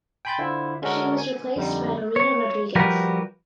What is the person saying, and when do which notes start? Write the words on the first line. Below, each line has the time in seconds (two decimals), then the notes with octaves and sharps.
She was replaced by Marina Rodriguez.
0.25 G5 G#5 B5 C6 G6 A6
0.38 D3 E4 F4 C5
0.82 D3 G#3 C#4 D4 F#4 A#4
1.18 G#5
1.56 F2 D3 G3 D#4
2.16 C#5
2.76 F3 G3 F#4 G4 A#4 B4